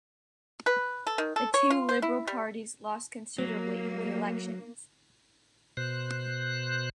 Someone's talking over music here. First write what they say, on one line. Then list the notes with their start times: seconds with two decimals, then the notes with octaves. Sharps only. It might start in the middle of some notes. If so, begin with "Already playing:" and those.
The two liberal parties lost considerably in the elections.
0.66 B4
1.07 A4
1.18 D#3
1.36 A4
1.54 C#5
1.70 F4
1.89 C5
2.02 E4
2.27 G3
3.38 F#3 A#3
5.77 B2 C5 F#6